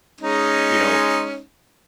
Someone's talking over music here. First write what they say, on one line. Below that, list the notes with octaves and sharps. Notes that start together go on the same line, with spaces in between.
you know
G#3 C#4 D#4